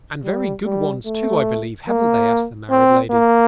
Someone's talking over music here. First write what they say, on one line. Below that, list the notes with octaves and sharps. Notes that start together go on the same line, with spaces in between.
'And very good ones too, I believe, haven't they?' asked the married lady.
G3
G3
A3
A#3
C4
A#3